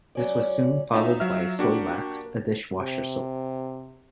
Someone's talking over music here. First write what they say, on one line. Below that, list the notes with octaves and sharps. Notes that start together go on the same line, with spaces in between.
This was soon followed by Soilax, a dishwasher soap.
F#3 C#4 D5
D2 C#4 D#4 F4 E5
F#3 F4 E5 F6
A#3 D4 F#4 G4
C3